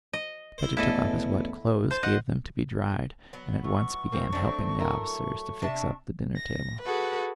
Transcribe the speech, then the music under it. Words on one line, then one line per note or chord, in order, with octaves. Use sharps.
Petya took off his wet clothes, gave them to be dried, and at once began helping the officers to fix up the dinner table.
D#5
E4 C5
A1 E2 B2 E4 A4 D#5
C5 A5
D#5 F#5
F#3 B3
A2 C#6
A#3 C4
F#3 A3 C4 D4
E4 A#4
C3 D4 E5 A5
A#6
F#4 G#4 A4 B4